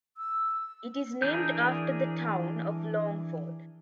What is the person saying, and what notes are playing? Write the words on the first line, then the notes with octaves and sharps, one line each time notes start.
It is named after the town of Longford.
E6
E3 D4 G#4 A#4 G6